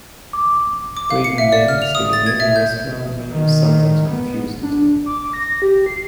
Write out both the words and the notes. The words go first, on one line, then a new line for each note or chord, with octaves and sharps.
Though even then, Scandinavian restaurant menus sometimes confuse the two.
D6
D6
F5
C#7
E5
D5
F6
F7
D#6
A6
G#6
E5
G6
D#3
B3
D4
D6
A#6
G4
C7